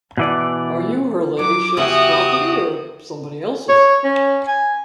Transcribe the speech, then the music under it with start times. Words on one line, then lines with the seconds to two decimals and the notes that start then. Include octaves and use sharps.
Are you her ladyship's property, or somebody else's?
0.17 B2 E3 D5
1.39 F#3 D6
1.77 E2 C#3 F#4 G4 E5 D#6
3.69 C#5
4.04 C#4
4.48 G#5